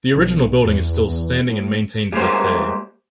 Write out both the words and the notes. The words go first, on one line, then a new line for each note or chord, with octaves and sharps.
The original building is still standing and maintained to this day.
B1
E2
E2
A2
G3 G#3 A#3 C5